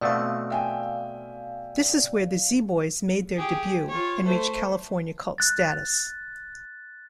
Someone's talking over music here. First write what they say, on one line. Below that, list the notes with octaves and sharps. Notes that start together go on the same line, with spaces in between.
This is where the Z-Boys made their debut and reached California cult status.
B2 A3 C4 D5 F5
E5 G5 G#5
G4 G#4
F4 C#5
A3 C5
F#6 A6